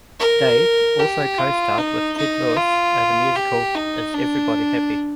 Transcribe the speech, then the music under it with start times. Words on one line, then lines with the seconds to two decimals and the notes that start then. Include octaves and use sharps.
Day also co-starred with Ted Lewis in the musical Is Everybody Happy?
0.20 A#4
0.99 G4
1.38 F4
1.78 D#4
2.17 D#4
2.57 F4
3.36 G4
3.75 D#4
4.14 D4